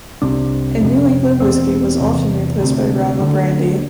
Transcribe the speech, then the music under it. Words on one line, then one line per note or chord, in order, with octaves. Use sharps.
In New England whiskey was often replaced by rum or brandy.
C2 C3 D4
F2 C3
E2 B2 C4
E2 C3
D2 C3
D2 D3